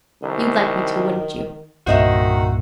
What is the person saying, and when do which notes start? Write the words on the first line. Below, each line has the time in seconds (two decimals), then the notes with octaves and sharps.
You'd like me to, wouldn't you?'
0.23 C2 D#3
1.87 C2 G2 A#2 D#3 F#4 C5 D#5 E5